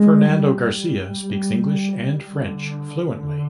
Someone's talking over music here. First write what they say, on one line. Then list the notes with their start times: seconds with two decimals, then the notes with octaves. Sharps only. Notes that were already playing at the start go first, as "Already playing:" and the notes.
Fernando Garcia speaks English and French fluently.
Already playing: G#3
0.28 G3
0.70 G3
2.33 D3
3.15 D3